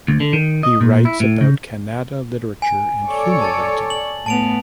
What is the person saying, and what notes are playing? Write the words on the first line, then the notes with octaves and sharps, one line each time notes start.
He writes about Kannada literature and humor writing.
D2
D3
D#3
D#5
A#2
E4
A2
C#3
G#5
A4 C#5 D5
A5 A6
F#7
A2 B3 A5 D7 F7